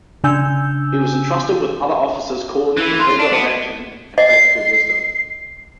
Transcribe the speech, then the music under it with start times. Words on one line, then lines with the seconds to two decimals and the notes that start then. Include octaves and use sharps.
He was entrusted with other offices calling for vigour of action and practical wisdom.
0.24 C#3 D4 G#5 E6 G6
2.77 E3
3.00 F4
3.19 D4
3.33 B3
4.18 D#5 C7